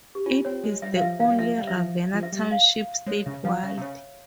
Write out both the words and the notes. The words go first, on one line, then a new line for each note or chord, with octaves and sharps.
It is the only Ravenna Township statewide.
G4
C#4 F4
C4 C#5
G#3
G3 E5
F5
F3 E5
E3 F5
G3
F3 E5
G3
E5
F3
F3
E5
G3
F5
G#3 C#5
C#3 E5
F3 F5
C#3 E5
C3
C#3 C#5